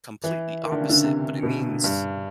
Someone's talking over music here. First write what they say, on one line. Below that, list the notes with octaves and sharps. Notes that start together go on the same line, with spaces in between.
completely opposite, but it means
E3
D#3
D3
C#3
D3
C3
B2
G2